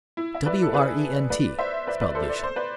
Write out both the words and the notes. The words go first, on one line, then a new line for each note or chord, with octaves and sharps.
"W-r-e-n-t!" spelled Lucian.
E4
E5
B4 D5
A4
G#4 B4
B4 D5
C5 E5
B4 D5
B4 D5
A4 C5
D5
C5
B4 D5